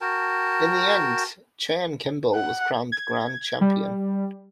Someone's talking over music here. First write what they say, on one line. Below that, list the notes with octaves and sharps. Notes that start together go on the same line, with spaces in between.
In the end, Cheyenne Kimball was crowned the grand champion.
F#4 A#4 G5 A5
F#5
G#6
G3